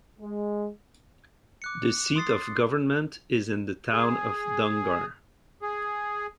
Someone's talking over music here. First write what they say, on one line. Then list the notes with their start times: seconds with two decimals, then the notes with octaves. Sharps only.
The seat of government is in the town of Donggar.
0.19 G#3
1.62 D6 F#6 C#7
2.16 C6 D#6 A6 C7
3.92 G#4
5.62 G#4